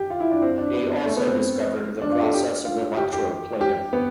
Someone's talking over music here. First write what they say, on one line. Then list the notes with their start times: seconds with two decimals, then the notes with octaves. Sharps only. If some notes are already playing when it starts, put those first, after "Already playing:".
He also discovered the process of electroplating.
Already playing: G4
0.10 F4
0.20 E4
0.31 D4
0.42 C4
0.58 D4
0.73 B3
1.06 A3
1.17 B3
1.27 C4
2.02 D4
2.12 F4
2.23 A4
2.33 G4
2.65 F4
2.97 G4
3.13 G4
3.61 G4
3.93 B3